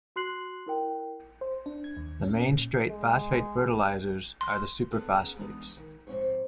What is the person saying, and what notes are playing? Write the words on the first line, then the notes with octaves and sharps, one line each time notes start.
The main straight phosphate fertilizers are the superphosphates.
F#4 C6 F#6 C7 F#7
E4 A#4 G5
C5
D4
G#6
D#2
C#4
A#2
G#3
C6
B3 D4 G#4 A4 B4
C#4 G#4 F#5 A#5
E3 G#3 B3 D4 D#4
D#3
G#2 F3 C4 C5 C#5